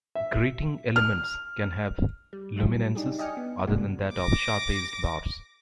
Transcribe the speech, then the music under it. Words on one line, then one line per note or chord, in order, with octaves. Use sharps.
Grating elements can have luminances other than that of sharp-edged bars.
E5
F6
G3
F#3 G3 E4 F#4
D4 D#4 G4 G#4
D5 D#5 G5 G#5 F6 C#7
B3
G#2 C3 G#3 A#3 D4 F#4
D6 A#6